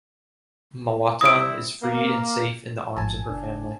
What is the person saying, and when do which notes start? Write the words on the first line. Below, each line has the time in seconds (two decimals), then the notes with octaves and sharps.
Mawata is freed and safe in the arms of her family.
1.21 G3 C4 E4 D#6 D7
1.83 A#3
2.96 A1 G#2 F3 G#5 A5
3.29 F#1 D4